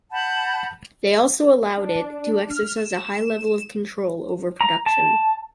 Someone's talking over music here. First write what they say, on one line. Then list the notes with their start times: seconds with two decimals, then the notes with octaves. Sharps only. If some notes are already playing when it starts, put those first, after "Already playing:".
They also allowed it to exercise a high level of control over production.
0.12 F#5 A5 B5 G6
1.77 D4
2.50 F6
2.76 E7
4.61 A#5
4.86 A5